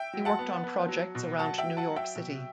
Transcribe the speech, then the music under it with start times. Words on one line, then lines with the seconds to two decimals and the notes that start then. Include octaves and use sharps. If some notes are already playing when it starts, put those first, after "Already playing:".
He worked on projects around New York City.
Already playing: E5 G5
0.13 F#3
0.25 F#5 A5
0.39 B3
0.64 B3
0.88 F#3
1.15 B2
1.39 F#3 F#5 A5
1.58 E5 G5
1.64 F#3
1.77 F#5 A5
1.90 F#3
1.96 E5 G5
2.16 B2